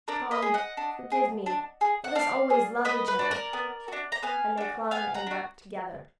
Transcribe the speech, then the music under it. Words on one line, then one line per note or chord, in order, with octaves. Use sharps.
"Tom, forgive me--let us always love each other"; and they clung and wept together.
D4 A#4 D5
B4 D#5
G#4
D#5 F#5
D4
G#4
D4
G#4
F#5
D4 D5 F5
G#4
B3 B4 D#5
B4
D4 F#4
A#4 D5
B3
D4 F#4
A#5
B3 F5 G#5
D4 F#4
B3 F5 G#5
F#5 A#5
D4 F#4